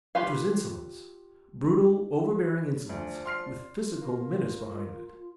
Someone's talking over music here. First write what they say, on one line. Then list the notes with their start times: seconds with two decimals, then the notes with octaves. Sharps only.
It was insolence--brutal, overbearing insolence, with physical menace behind it.
0.15 F4 G4 B4 F5
2.89 D2 F3 D5
3.26 C6 F6 C7
4.02 A#3 F4